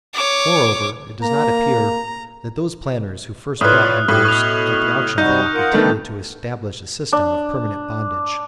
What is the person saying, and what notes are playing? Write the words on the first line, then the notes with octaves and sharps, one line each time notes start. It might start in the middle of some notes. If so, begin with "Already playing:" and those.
Moreover it does not appear that those planters who first bought negroes at the auction block intended to establish a system of permanent bondage.
C#5 D6
A#3 A#5
A2 F4 B4 C#5 D5 D#6 F6 F#6
A2 G3 F#4 G4
B2 C#6 F6 F7
C3 G3 D#4 F#4 G6
F4 A#4 F#5
D#3 G3 A3 B3 D4 A4
D4